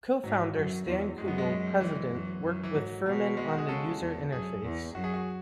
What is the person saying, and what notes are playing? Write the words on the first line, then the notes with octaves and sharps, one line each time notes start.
Co-founder Stan Kugell, President, worked with Firmin on the user interface.
G#2 F#3
F#2
E2
F#2 G#3
B3
G#3
E3
F#2
F#2
E3
G#2 F#3
B2 F#3
G#3
F#4
G#4
C#3 A4
E2
F#2 G#4
E2
F#2 F#4
G#4
F#4